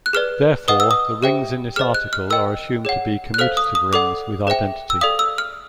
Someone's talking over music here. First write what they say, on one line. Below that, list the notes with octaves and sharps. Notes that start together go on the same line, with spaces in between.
Therefore, the rings in this article are assumed to be commutative rings with identity.
F#6
G#4 B4 D5 F6
B4 D#5 F#5 D#6
E6
D#6
G4 C5 E5 G5
G#4 C5 D#5 F6
F#6
F6
A#4 D#5 G5 E6
G#4 C#5 F#5
F#6
A4 C5 F5 F6
D#6
D#6
A4 D5 F#5 D6
G#4 C5 E5 G5
E6
A4 D5 F5 D#6
E6
F6